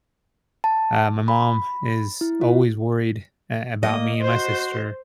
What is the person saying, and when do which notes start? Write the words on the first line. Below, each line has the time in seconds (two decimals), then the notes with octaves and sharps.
uh, my mom is always worried, eh, about me and my sister.
0.64 A5
1.28 B5
2.21 E4
2.41 F4
3.83 A#3 D#5
4.23 F#4 C5